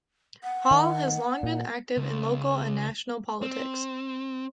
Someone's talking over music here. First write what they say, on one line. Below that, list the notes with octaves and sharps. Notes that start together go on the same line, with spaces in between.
Hall has long been active in local and national politics.
F#5
D#3
A#2
C#2
C4